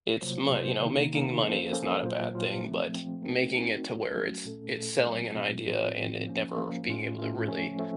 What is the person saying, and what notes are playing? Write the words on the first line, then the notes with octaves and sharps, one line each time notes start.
it's mon you know, making money is not a bad thing, but, making it to where it's it's selling an idea, and it never being able to really
C3 F#3 A#3 F4 C5
C3 F#3 A#3 F4 C5
C3 D#3 A#3 D#4
C3 D#3 A#3 D#4
F3 A#3 C#4 A4 C5
F3 A#3 C#4 A4 C5
A#2 F#3 A#3 F4 C5
A#2 F#3 A#3 F4 C5
F3 A3 C4
F3 A3 C4
A3 C4 D#4 F#4 A#4
A3 C4 D#4 F#4 A#4
F#3 A3 C#4 F#4
F#3 A3 C#4 F#4
A#2 A3 C#4 A4
A#2 A3 C#4 A4
A#2 F#3 A3 C4 F4
A#2 F#3 A3 C4 F4
A2 F3 C4 F4
A2 F3 C4 F4
F3 A#3 C#4
F3 A#3 C#4
A2 A3 C#4 F4
A2 A3 C#4 F4
F3 A3 C#4
F3 A3 C#4